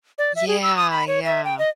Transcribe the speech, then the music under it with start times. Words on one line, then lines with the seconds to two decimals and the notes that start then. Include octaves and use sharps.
Yeah, yeah.
0.18 D5
0.36 E5
0.48 G#4
0.63 E6
0.76 D#6
0.90 B5
1.08 C#5
1.25 E5
1.45 G5
1.59 D#5